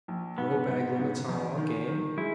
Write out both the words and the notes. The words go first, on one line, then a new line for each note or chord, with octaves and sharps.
Low bag limits on all game.
A#1
G#2 B3
G#2
G#2
E2
D#3
D#3
G#3 E4